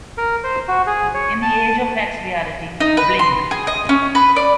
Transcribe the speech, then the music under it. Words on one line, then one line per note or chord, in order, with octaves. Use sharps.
In the "Age of X" reality, Bling!
A#4
C5
F#4
G#4
C#5
A5
D#4
B4
C6
G#4
D#5
C#4
B4
D5